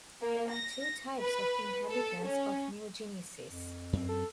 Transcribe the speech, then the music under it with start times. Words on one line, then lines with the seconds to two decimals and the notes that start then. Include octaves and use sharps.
There are two types of inhabitants of New Genesis.
0.22 A#3
0.50 A#6
1.20 B4
1.89 A4
2.24 C#4
3.49 F2
3.93 F#2 C4
4.09 A4